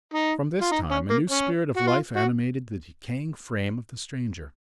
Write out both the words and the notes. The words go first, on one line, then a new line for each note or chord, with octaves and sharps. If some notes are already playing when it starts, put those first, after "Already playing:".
From this time a new spirit of life animated the decaying frame of the stranger.
D#4
F4
D#4
C#4
A#3
C#4
F#4
F4
F#4